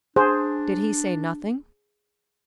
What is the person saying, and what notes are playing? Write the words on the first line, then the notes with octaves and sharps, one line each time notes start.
Did he say nothing?
D4 G#4 C5